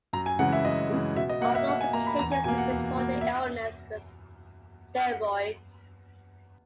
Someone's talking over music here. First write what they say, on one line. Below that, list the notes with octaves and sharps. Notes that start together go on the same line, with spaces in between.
On those occasions, he controls the illness with steroids.
F#2 A#5
G#5
C#3 E3 G#3 F#5
E5
F#2 D#5
C#3 E3 G#3
B2 E5
D#5
A#3 F#5
E5
B2 F#5
G#5
A#3 A#5
B5
E2 A#5
G#5
B2 A#3 G#5
F#5
E2
B2 A#3
E5